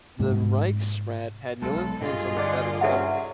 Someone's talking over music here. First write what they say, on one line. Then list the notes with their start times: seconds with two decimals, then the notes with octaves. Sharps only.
The Reichsrat had no influence on the federal government.
0.19 G#2 C3
1.62 B1 G#3 A4
2.01 G2 F4 G#4 D#5
2.37 D3 D5
2.81 C3 C#4 A4 E5 F#5